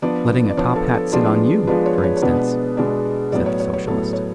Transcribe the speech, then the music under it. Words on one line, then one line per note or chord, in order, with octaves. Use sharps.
"Letting a top hat sit on you, for instance," said the Socialist.
F3 B3 D4 D5
D5
F3 B3 D4 C#5
A4
A4
F3 G#3 B3 D4 F4
F3 G#3 B3 D4 F4 B4
C#5
B4
C#5
C#5
B2 G#3 B3 D4 B4
B2 G#3 B3 D4
A2 F#3 B3 D5
C#5
C#5
C#5
A2 F#3 B3 A4
C#5